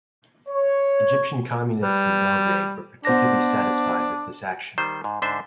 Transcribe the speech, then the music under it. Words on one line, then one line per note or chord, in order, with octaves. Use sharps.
Egyptian communists in Belgrade were particularly satisfied with this action.
C#5
G3 B4
B3 D4 C5 A#6
D#3 G3 C5
G#2
G#2 D3 D4 C5 E5